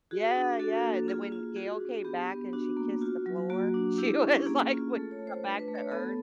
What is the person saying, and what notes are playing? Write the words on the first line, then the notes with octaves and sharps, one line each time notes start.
Yeah, yeah, and then when Gayle came back and she kissed the floor, she was like w when got back to earth,
F#4 G#4
D4
F#4 A4
A#3
F4 G#4
F4
F#4 G#4
D4
B3 G4
B3
D4 F#4
A#3
F4 F#4
F#3
A#3 F#4
D4
E4 G4
C#4
A#3 G#4
F4
A3 A4
C#5
A3
C5
D4 B4
B4
A3
C#5
B3 A4